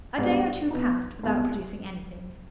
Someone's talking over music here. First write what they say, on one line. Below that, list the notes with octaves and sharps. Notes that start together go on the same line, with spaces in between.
A day or two passed without producing anything.
G#2 G3 B3 D4 G#4
B2 B3 D#4
C2 B2 G#3